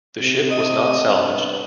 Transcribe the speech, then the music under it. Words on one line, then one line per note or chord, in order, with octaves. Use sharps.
The ship was not salvaged.
C3
D#5
G2 B3